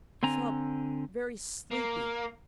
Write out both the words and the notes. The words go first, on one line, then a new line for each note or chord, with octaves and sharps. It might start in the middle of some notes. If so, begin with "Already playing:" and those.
He felt very sleepy.
D3 C4 G#5 A#5
A#3